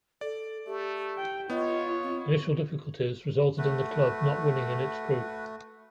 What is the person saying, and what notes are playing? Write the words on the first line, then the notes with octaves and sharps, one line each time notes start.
Initial difficulties resulted in the club not winning in its group.
A4 D5
A3 G4
G5
B3 F4 C#5 D#5
C4
A3 F#4 B4